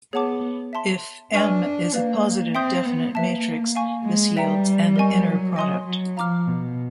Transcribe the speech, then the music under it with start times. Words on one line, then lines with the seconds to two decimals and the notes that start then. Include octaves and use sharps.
If "M" is a positive definite matrix, this yields an inner product.
0.13 B3 G#4 C#5 F#5 A5 D6
0.73 E5 A5 C6
1.33 D4 B4 E5 G#5 C#6 F6
1.94 A#3 B4 D5 F5
2.55 C4 E5 G5 C6 D#6 G6
2.85 B3
3.15 A#3 B4 E5 A5
3.75 F5 G#5 C#6
4.05 G#3
4.36 G3 B4 E5 G5 A#5
4.96 A#4 D#5 G#5 C#6
5.26 F#3
5.56 F#3 D#5 G#5 C6 D#6
5.87 F#3
6.17 F3 F5 A#5 D6 F6
6.47 B2